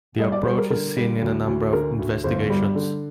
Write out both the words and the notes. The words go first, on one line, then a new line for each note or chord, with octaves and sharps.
The approach is seen in a number of investigations.
G3 D#5
D5
G3 C5
A#4
D3 A#4
G3
D2
D2
D3 A#4
D2
G1 C5
G3
D3